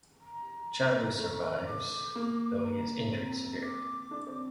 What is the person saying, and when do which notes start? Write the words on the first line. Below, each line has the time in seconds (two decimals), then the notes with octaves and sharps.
Chandu survives, though he is injured severely.
0.21 A#5
1.18 A3
1.67 D6
2.16 A#3
2.64 A#5
3.12 C4
3.62 D6
4.11 D4
4.27 C4